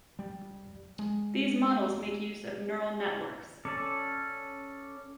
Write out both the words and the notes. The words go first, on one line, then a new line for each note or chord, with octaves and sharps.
These models make use of Neural networks.
G3
G#3
C#4 A4 D5